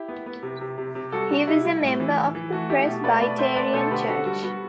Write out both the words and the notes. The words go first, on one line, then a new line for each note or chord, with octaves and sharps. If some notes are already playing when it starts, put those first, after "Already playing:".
He was a member of the Presbyterian Church.
Already playing: E4 G4
B3
B3
C3
C3
C3
C3
G3 F#4 A4
C3 F#4
C3 E4
G3 E4
A2
E3
E3
E3
A3 F#4
A3 E4 G4
B2
A3 B4 D5
B2 B4 D5
A3 C5 E5
A3 B4 D5
B2 A4 C5
D3 G4 B4
D3 F#4 A4
G3 F#4
B3 F#4